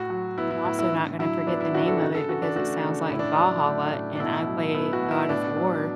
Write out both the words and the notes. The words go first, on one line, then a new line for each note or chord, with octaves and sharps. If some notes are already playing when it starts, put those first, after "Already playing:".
I'm also not gonna forget the name of it because it sounds like Valhalla and I play God of War.
Already playing: A2 F#4
F#3
B3 E4
E4
A2 E4
E4
D3
F#3 E4
B3 D4
E4
D3 F#4
A4
C#3 F#4
A4
E3 F#4
D4
A3 F#4
C#3
A2 E4
D4
F#3 D4
A3
A2
D4
B2 E4
F#3
B3 E4
F#4
B2
E4
A2 D4
F#3